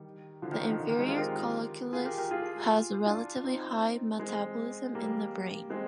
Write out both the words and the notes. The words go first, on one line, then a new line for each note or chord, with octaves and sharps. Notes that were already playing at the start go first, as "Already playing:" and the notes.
The inferior colliculus has a relatively high metabolism in the brain.
Already playing: D#3 G3
D3 F3
D#3
D3
D#3
D3
D#3
G#3 C4
F4 G#4
G4 A#4
F4 G#4
G4 A#4
G4 A#4
F4 G#4
D4 F4
C4 D#4
G#3 C4
G3 A#3
G#3 C4